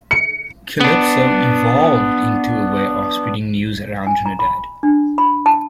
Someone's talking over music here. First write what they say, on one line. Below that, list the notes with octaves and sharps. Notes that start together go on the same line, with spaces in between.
Calypso evolved into a way of spreading news around Trinidad.
C#7
B3 D4
G#5
A#5
B5
D4
B5
A5